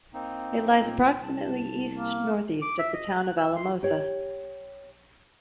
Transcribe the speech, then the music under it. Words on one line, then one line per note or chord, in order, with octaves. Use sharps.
It lies approximately east-northeast of the town of Alamosa.
A#3 C4 D#4
A#2
C2 A5
A#3
D6
E5
D#5
F#6
E6
C6
G4 C#5